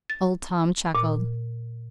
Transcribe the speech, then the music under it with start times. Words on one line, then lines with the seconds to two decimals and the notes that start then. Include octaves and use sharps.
Old Tom chuckled.
0.10 A6
0.95 A#2